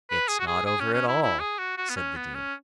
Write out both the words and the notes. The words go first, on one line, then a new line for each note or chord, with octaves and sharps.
"It's not over at all," said the dean.
B4
G#4
F#4
G#4
G#4
C#4
C#4
E4
E4
G#4
F#4
F#4
B3
C#4
B3
C#4